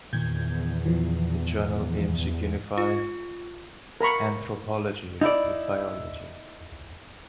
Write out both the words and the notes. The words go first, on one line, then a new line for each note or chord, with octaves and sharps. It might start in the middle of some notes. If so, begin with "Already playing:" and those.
The journal aims to unify anthropology with biology.
E2 A#2 D#3 G6 G#6
E3 F3
F4
A#4 A#5 B5 C#6
D#4 E4 D5